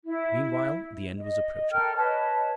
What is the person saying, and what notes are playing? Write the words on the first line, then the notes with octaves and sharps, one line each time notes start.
Meanwhile the end was approaching.
E4
D#5
A4 A#4 G5 F6
B4 C#5 D#5 A5